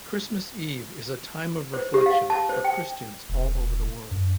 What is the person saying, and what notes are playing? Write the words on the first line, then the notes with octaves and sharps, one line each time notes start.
Christmas Eve is a time of reflection for Christians all over the world.
C5
G4
F5
A5
C5
G5
E1
F#2